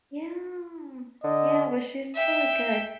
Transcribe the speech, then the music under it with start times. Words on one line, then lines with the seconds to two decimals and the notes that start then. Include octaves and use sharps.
Yeah. Yeah, but she's really good.
1.24 D3 D#5
2.15 E5 G5